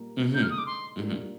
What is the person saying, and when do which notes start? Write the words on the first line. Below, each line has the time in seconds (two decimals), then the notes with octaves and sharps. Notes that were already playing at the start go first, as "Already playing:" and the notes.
Mhm. Mhm.
Already playing: A#2 G3 A#3
0.34 D3 G#3 D#4 G6
0.42 F6
0.50 D#6
0.58 D6
0.67 C6
0.99 G3 A#3 D4 F4